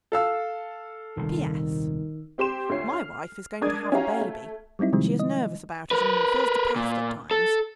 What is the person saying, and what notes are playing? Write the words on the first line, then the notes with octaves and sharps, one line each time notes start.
P.S.--My wife is going to have a baby; she is nervous about it and feels depressed at times.
A4 F5 E6
D#1 C2 D#3
C4 G4 C6 E7
D2 F4 C#5 C7
F6
G#3 D4 A#4 D5 D#6 G#6
C#4 E4 F#4 G4 F5 A#5
A3
F#3 G3 C4 D#4 E4
C3 D#3 F3 G3 G#3 C4
D#5
A#4 B4
A#2
A4